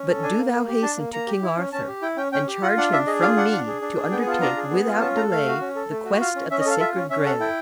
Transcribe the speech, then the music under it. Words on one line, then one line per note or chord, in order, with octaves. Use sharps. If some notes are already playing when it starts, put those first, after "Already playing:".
But do thou hasten to King Arthur, and charge him from me to undertake, without delay, the quest of the Sacred Graal.
Already playing: C#4
A4
D4 G#5
A#3
A#3
G4
D4 A5
A#3
A#3 A#5
G4
E4
C#4
C#4 A5
G4
E4 G5
C#4 G5
C#4 G5
G4
F4 F#5
D4 F#5
D4 E5
G#4 D#5
F4 F5
D4 F#5
D4
G#4
D4
G#4
B3 G5
G#5
F4 A5
D4 A#5
G#4
B3
F4
C#4 A5
A4 A#5
A3 F5
F#4
C#4
A4
A3
F#4
F4 F5
C#4
C#4 E5
D#5
A4 F5
F4 E5
C#4
C#4 E5
A4 F#5
E4 G5